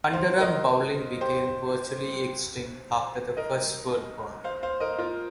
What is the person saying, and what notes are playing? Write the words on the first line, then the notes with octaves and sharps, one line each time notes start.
Underarm bowling became virtually extinct after the First World War.
C5 F5
A#4 D#5
G4 C5
A#4 D#5
C5 F5
C5 F5
A#4 D#5
F4 A#4